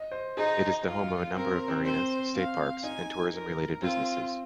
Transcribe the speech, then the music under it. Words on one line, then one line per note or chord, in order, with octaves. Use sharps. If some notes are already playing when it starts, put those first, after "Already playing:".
It is the home of a number of marinas, state parks and tourism-related businesses.
Already playing: D#5
C5
D#4 G#4
F4
C4 A#4
C4
C4
C4 C5
F5
D#4 G#5
A#4
C4 F4